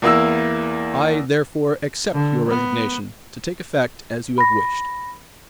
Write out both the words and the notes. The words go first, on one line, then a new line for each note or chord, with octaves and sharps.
I, therefore, accept your resignation, to take effect as you have wished.
E2 A#3 E4 E6
D3
B3
B5 A#6